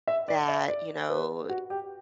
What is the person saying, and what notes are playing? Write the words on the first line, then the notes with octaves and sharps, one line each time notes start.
that, you know,
E5
D5
E5
D5
B4
F#4
G4